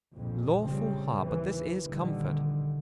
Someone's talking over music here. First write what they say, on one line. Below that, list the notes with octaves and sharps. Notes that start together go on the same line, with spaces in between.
Lawful heart, but this is comfort.
A#1 F2
A#2 C#3 G3 C4
D#2 E3
A#1 A#2 D3 D#3 G3